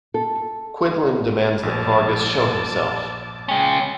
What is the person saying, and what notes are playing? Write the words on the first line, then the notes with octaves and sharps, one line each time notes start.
Quinlan demands that Vargas show himself.
A4
A#1 A5 D6
G#3 C#4 G5